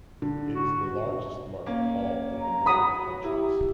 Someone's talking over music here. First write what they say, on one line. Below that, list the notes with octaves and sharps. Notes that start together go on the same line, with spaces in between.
It is the largest market hall in the Nordic countries.
D3
F#4
A#3 C#4
A#5
F#4 C#5 B5 D#6 B6
E4 G4